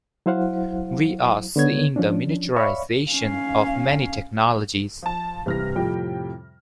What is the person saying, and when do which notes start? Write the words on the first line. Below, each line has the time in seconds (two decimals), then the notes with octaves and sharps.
We are seeing the miniaturization of many technologies.
0.26 F#3 E4 C5 F5 F#5
1.56 D3 B3 C#5 G#6
1.96 F3 C#4 D4
2.56 C#5 D5 E5 F5 B5 C#6
3.11 C#4 F5
5.02 F3 A5
5.46 G2 C3 E3 B4 F6 A#6
5.76 F2 A2 C3 G3 G5